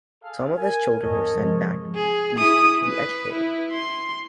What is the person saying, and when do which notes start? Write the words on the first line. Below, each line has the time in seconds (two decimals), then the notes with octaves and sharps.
Some of his children were sent back east to be educated.
0.23 G#4 A4 F5
0.57 A#4 G#5
1.01 E2 G2 A4 C#5 D#5
1.34 C3 F3 G#3
1.95 G#4
2.38 E4 D#6
2.84 B4
3.32 E4
3.72 C6